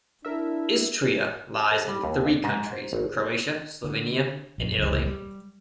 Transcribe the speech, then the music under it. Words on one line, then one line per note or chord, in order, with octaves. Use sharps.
Istria lies in three countries: Croatia, Slovenia and Italy.
D4 E4 A#4 E5
A4
G3
D#2
D4
G#2
C5
G#1
D3
A#1 F#2
F1 C#2 E3
G3